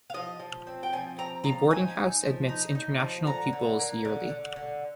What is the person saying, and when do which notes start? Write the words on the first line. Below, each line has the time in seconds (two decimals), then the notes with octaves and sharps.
The boarding house admits international pupils yearly.
0.10 F5
0.14 F3 D#5
0.40 F3
0.67 C4
0.83 G5
0.93 F3 G#5
1.18 C4 A#5
1.44 F3 A#5
1.70 D#4 G#5
1.96 D#4
2.23 F3
2.49 D#4
2.75 D#4
3.00 F3
3.26 D3 A#5
3.53 D3
3.79 A#3
4.05 D3
4.30 D3
4.56 D3